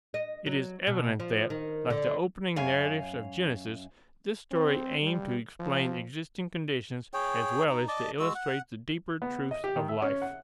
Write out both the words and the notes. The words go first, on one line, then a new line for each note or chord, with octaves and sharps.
It is evident that, like the opening narratives of Genesis, this story aimed to explain existing conditions, as well as to illustrate the deeper truths of life.
D#5
F#3
B2
F3
D#3
D3
F#2 F5 G#5
C4
G3
F3
G#4 C#5 G5
D#4
D5 D#5 A5 D6
G#3 F#4 E6
F#5
B3
D#5
G4
D#3
E5
C#4
F#5